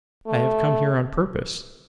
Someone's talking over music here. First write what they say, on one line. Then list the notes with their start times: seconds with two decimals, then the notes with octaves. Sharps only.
I have come here on purpose.
0.27 A3